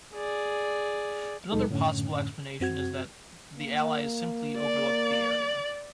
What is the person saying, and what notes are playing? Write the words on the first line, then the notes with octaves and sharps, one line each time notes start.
Another possible explanation is that the Allies simply overlooked the area.
G#4 D5
C#2 A#2 F#3 G#3 D#4 A4
F#2 A2 D3 C#4
F#2 C4 F#4 G#6
A#3
D5